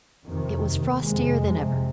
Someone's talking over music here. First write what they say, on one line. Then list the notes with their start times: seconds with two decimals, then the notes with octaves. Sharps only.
It was frostier than ever.
0.24 F2 C3 D#3
0.65 D#2
1.04 F2 C3 G#3
1.43 F2 C3